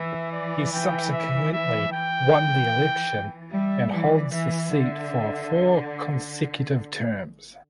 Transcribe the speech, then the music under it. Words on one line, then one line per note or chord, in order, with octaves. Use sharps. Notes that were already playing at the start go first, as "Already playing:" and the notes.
He subsequently won the election and holds the seat for four consecutive terms.
Already playing: E3 E5
D5
G5
E5
E5
E3 G5
G3 E5
E3 D5
E3 E5
D3